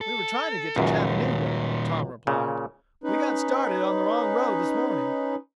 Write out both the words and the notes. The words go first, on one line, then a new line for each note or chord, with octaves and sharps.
"We were trying to get to Chattanooga," Tom replied, "We got started on the wrong road this morning."
A4
C#2 F#2 A#2 D#3
A#2 C#3
C#4 D#4 B4